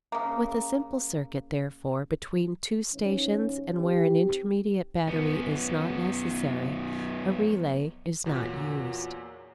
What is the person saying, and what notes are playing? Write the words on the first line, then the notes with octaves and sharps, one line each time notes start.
With a simple circuit, therefore, between two stations and where an intermediate battery is not necessary, a relay is not used.
C#3 A#3
G#2 E3 C#4
D#3 C4 G4
F#2 B3
E2 A#2 F#3